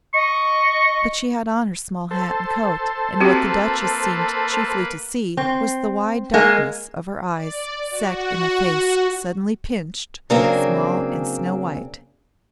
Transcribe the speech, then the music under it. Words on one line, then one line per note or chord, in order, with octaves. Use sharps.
But she had on her small hat and coat and what the Duchess seemed chiefly to see was the wide darkness of her eyes set in a face suddenly pinched, small and snow white.
D#5 C#6
A4 C5
A#3 C4 F#4 G4 B4
C4
G#3 A#3
D5
F#4
C#3 F#3 A#3 C4 D4 G#4